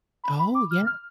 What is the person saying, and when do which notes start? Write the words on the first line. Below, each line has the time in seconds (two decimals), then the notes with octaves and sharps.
Oh, yeah.
0.24 B5
0.39 B5
0.55 D6
0.71 F6
0.86 F6